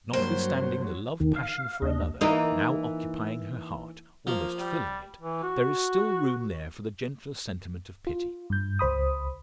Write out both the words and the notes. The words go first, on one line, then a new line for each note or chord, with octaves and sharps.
Notwithstanding the love passion for another now occupying her heart--almost filling it--there is still room there for the gentler sentiment of pity.
G2 F#3 A#3 C5
D#2 D#3
F5
D#2 D4 D#5
E3 A#3 D#4
F3 A#3
G3
E3
F#4
F4
G2 G6
C#2 C5 B5 D#6